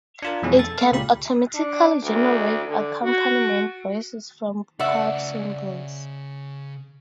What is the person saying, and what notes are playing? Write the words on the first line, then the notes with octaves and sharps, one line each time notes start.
It can automatically generate accompaniment voices from chord symbols.
D4 F4 A#4
F2 B2 E3 G#3 B3 C#4
A4 A6
A4 F5
C#2 A#2 G4 B5
D4
D2
D3
F#4
C#3 B4 D5 E5 F#5